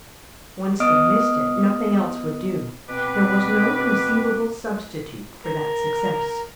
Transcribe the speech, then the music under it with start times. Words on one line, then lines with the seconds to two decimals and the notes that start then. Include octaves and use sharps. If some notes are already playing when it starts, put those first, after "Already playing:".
Once they missed it nothing else would do; there was no conceivable substitute for that success.
0.80 B3 D#5 D#6 F6 D7
2.89 B2 C4 B4 D6
5.44 A#4